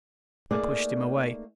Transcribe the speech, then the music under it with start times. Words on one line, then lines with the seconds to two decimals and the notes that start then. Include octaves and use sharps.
I pushed him away.
0.51 A3 A#3 D#4 G#4 D5